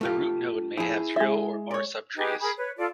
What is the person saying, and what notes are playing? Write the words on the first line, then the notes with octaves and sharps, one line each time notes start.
The root node may have zero or more subtrees.
A3 F4 G4
F3 E4 G#4
G#3 E5
C#5 D5
D#4 G4 G#4 B4
G#4 A#4 B5
B4 C#5
F4 A4 D5